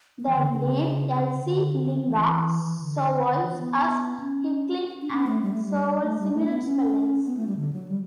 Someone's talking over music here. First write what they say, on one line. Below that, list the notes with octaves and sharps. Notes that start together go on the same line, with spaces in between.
The name "Iclinga" survives as "Hickling" and several similar spellings.
B3
E3
D3
C#3
D3
E3
E3
D3
D3
E3
B3
C#4
D4
C#4
A3
G3
A3
G3
A3
G3
A3
B3
C#4
B3
A3
G3
D3
F#3
G3